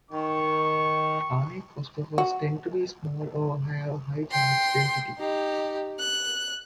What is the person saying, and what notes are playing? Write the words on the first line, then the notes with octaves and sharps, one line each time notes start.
Ionic kosmotropes tend to be small or have high charge density.
D#3 C#6
F#4
G5 C6
D#4 G4
F#6